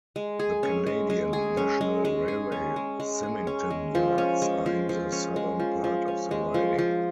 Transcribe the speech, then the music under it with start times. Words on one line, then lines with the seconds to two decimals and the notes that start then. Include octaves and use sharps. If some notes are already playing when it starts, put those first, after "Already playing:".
The Canadian National Railway Symington Yards are in the southern part of the riding.
0.16 G#3
0.39 G#4
0.63 C#4
0.86 G#3
1.10 G#3
1.33 G#4
1.57 C#4
1.81 G#3
2.05 G#3
2.28 G#4
2.52 C#4
2.76 G#3
3.00 G#3
3.23 G#4
3.47 C#4
3.70 G#3
3.95 F3
4.18 C#4
4.42 G#3
4.66 F3
4.89 F3
5.12 C#4
5.36 G#3
5.60 F3
5.84 F3
6.08 C#4
6.31 G#3
6.54 F3
6.78 F3